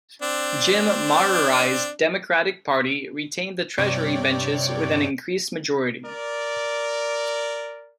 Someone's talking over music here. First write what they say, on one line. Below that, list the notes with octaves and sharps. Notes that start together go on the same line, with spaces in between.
Jim Marurai's Democratic Party retained the Treasury benches with an increased majority.
C4 D4
G2 C3 C#5 D5 G5 D6
A#4 D5